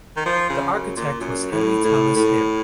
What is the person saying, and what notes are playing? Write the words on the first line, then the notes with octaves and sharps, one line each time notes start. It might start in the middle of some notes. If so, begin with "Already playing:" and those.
The architect was Henry Thomas Hare.
D#3
F3
C#3
F#2
A#2
F#2
A2
A2
A2